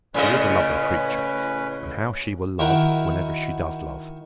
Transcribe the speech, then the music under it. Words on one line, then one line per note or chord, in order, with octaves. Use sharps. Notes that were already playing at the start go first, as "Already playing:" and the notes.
She is a lovely creature; and how she will love whenever she does love!
A2 C#3 C#4 B4 D#5
D#3 E4 F#4 A#4 G5